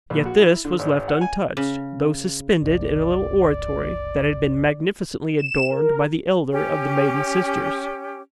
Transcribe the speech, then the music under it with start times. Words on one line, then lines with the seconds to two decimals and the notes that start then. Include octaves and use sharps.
Yet this was left untouched, though suspended in a little oratory that had been magnificently adorned by the elder of the maiden sisters.
0.10 A#1
0.26 F#4
0.38 E4
0.65 D3
0.79 G#1
1.08 F#5
1.21 G#5
1.57 C#3
2.62 F#1 C2 D5
5.39 E7
5.71 A#4
6.52 C#4 G4